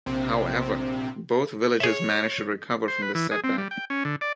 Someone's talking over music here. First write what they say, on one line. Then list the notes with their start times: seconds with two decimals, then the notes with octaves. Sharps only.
However, both villages managed to recover from this setback.
0.06 A#1 C3 C4
1.80 G#4 C#5 E5
2.88 C5
3.02 B4
3.15 E3
3.31 G#4
3.44 C4
3.58 G3
3.71 G5
3.90 C#4
4.05 D3
4.21 D5